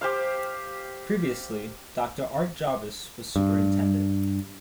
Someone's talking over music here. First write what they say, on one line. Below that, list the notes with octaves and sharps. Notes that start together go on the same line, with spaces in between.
Previously, Doctor Art Jarvis was superintendent.
G4 C5 F5
G2